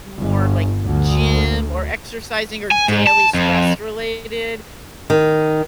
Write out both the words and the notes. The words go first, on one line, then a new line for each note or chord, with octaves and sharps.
more like gym or exercising or daily stress related,
G1
D2
G#5
G#2
A5
F2
D#3